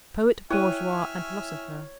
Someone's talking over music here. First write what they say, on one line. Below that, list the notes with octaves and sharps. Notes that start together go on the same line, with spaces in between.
Poet, Bourgeois, and Philosopher.
E4 C#5 E5 G5 G#5 F6 F#6 D#7